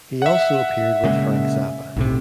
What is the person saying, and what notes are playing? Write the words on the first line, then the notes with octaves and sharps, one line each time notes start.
He also appeared with Frank Zappa.
E5 F#5
A#2 C#3 G#3
B1 A2 C3